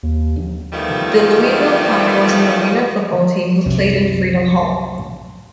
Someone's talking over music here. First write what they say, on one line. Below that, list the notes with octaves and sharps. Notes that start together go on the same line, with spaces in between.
The Louisville Fire was an Arena Football team who played in Freedom Hall.
D#2
E2 D#3 F3 G3 A3
C2 F#2 C3